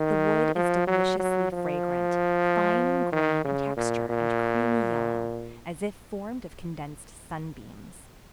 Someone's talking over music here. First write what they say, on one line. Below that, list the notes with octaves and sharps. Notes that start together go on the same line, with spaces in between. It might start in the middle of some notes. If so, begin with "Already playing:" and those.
The wood is deliciously fragrant, fine in grain and texture and creamy yellow, as if formed of condensed sunbeams.
Already playing: D#3
F3
F#3
F#3
F3
D#3
C#3
A#2
A#2